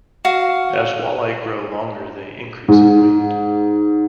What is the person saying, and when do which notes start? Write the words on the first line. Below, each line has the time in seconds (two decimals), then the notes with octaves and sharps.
As walleye grow longer, they increase in weight.
0.25 F#4 F5
2.68 G#2